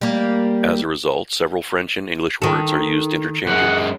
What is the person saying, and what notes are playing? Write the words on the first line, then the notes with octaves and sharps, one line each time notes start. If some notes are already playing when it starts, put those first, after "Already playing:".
As a result several French and English words are used interchangeably.
G3 A#3
D#3 A4
F#2 G#3 F#5